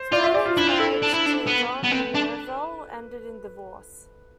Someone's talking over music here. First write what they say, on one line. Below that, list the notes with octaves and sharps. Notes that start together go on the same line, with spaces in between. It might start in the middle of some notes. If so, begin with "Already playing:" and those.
Sterling's marriage to John Merivale ended in divorce.
Already playing: C5
F4 D5
E5
D5
F4
D4 E4
F4
E4 A4
D4
E4
D4
B3
B3
C4 B4
D4